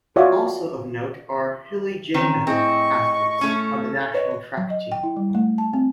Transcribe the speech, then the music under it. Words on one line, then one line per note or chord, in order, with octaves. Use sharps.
Also of note are Hiligaynon athletes on the national track team.
F4 F#4 C#5 D5 E5
D#3 C4 C#4
A2 C4 G#4 D#5 C#6
A3 C#4 A4
B4 C#5 D#5
F#3
D#5
G5
E4
G3
A3
A5
C4